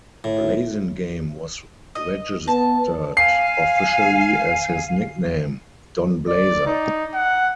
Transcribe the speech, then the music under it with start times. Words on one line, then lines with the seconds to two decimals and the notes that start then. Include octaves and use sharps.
Blasingame was registered officially as his nickname, Don Blazer.
0.24 A2
1.95 D#5
2.48 B3 A5
3.17 F5 G#5 C7
6.28 D5
6.67 D#4
7.14 F#5